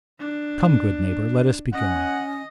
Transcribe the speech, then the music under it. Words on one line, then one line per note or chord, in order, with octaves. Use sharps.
Come, good neighbour, let us be going.'
D4
C#4 D#5 F#5